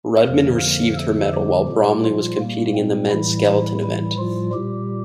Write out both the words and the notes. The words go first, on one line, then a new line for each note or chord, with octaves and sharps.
Rudman received her medal while Bromley was competing in the men's skeleton event.
F2 D3 F3 A#3 A#4
A#3 A#4
A3 A4
G3 G4
A#2 G3
F3 F4
A#3
C4
A2 E3 G3 E4
E3 E4
F3 F4
A#2 G3 G4